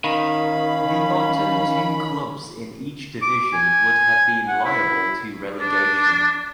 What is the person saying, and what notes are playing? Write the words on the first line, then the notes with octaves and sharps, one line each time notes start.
The bottom two clubs in each division would have been liable to relegation.
D#3 C#4 F5 B5
D6
G#5
F#5
E4
D4